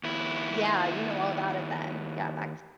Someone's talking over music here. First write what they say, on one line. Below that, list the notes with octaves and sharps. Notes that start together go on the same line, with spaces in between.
yeah, you know all about it then. Yeah, back
D#2 E4